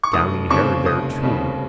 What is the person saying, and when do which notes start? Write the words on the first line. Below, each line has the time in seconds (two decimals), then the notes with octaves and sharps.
Downy hair there too.
0.03 C#6
0.13 F1 D#6
0.50 D#2 C#3 G3 C4 C#6
0.85 F1 D#6
1.22 D#2 C#3 G3 C4